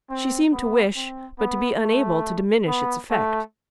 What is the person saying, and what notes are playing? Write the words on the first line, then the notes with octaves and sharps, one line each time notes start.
She seemed to wish, but to be unable, to diminish its effect.
C4
B3
C4
B3
A3
B3
A3